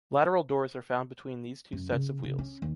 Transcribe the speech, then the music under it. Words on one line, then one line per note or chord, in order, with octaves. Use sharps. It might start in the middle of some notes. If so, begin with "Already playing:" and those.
Lateral doors are found between these two sets of wheels.
F#2
C#3
C#3
C#4
D#2